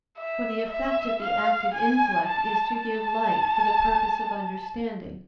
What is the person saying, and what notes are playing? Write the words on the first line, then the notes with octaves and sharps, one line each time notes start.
For the effect of the active intellect is to give light for the purpose of understanding.
E5
E5
F5
G#5
A5
A5